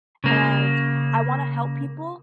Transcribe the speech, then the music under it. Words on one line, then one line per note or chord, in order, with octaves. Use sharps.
and I wanna help people,
C#3 A#3